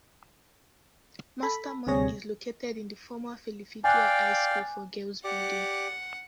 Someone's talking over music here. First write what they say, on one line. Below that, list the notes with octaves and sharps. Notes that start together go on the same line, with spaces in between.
Masterman is located in the former Philadelphia High School for Girls building.
A4 B5
D2 C3 G3 G#4 C#5 A#6
D5 F5 G5 G#5 D6 F#6
G4 D5 F#5 D6